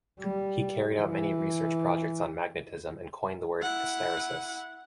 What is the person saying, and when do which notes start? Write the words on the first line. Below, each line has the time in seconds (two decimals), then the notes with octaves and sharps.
He carried out many research projects on magnetism and coined the word 'hysteresis'.
0.19 G3
0.96 E3
3.62 E4 F#5